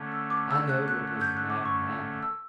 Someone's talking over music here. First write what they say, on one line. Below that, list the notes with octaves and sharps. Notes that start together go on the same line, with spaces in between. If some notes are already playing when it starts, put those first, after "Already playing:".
I knowed what was the matter now.
Already playing: D3 A3 C#4
E6
D6
E6
F#6
F#6
F#6
G6
F#6
D6
C#6
E6